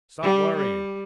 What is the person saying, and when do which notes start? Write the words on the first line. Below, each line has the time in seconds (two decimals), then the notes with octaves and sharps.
"Stop worrying!"
0.22 G3
0.57 G3